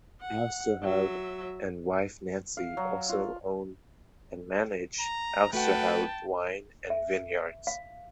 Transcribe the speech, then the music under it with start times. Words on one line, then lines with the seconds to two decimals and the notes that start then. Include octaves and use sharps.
Ousterhout and wife Nancy also own and manage Ousterhout Wine and Vineyards.
0.21 F#5
0.82 F#3 E5
2.57 F5
2.77 F#3
3.09 F4
4.99 A#5
5.53 A3 F#4 B4 F#5 G5 A5
6.90 E5
7.67 F5